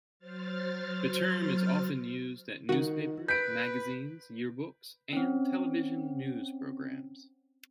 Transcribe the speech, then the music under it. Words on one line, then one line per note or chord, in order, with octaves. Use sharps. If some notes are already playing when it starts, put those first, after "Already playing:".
The term is often used at newspapers, magazines, yearbooks, and television news programs.
F#3 C5 F6 A6
D#3 F#4 F#5
B4 G6 B6 D7
C4 C#4